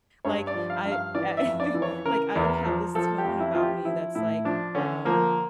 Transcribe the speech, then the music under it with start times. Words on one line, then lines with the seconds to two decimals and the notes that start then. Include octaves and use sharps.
Like I I like, I would have this tone about me that's like, um,
0.25 G2 C#5
0.47 D5
0.54 F3
0.70 F5
0.85 G2
0.92 F5
1.15 E3 D5
1.37 E5
1.45 F2
1.60 D5
1.74 E3
1.82 C#5
2.05 C#3 A#4
2.35 E2
2.66 F3
2.95 F3 A4
3.18 G4
3.25 F2
3.40 E4
3.54 F3 F4
3.63 G4
3.85 F3 E4
4.15 A2 E4
4.45 F3 D4
4.75 D3 C#4
5.05 F3 A#3